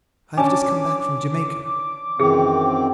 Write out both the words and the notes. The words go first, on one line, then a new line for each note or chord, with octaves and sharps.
I have just come back from Jamaica.
C#4 D4 G#5 A5 D6
F#2 D#3 E3 C4 G#4